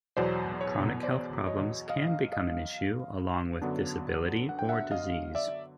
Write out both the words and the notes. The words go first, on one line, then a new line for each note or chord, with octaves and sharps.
Chronic health problems can become an issue along with disability or disease.
E2 B2 F#3 C5 D5
C#5
C5 D5
C#5 D#5
D#5 F5
D#5 F5
F#2 D3 F#3 B3 D4
F#5
G5
E5 F#5
D#5 F5
D5 E5